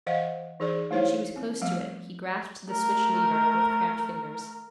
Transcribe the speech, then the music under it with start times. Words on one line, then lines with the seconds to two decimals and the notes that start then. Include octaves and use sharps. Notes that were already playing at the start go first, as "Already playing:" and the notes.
When she was close to it he grasped the switch-lever with cramped fingers.
0.07 E3 C5 D#5 F5 F#5
0.60 E3 D#4 G#4 C5 D5
0.91 A3 D#4 E4 C5 C#5 F5
1.36 C4
1.61 F3 G3 A3 B3
2.70 A3 A#4